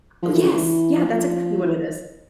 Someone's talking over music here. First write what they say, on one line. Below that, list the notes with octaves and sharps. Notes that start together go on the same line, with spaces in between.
Oh, yes! Yeah, that's exactly what it is.
F3
E3
C#3
E3
F3
E3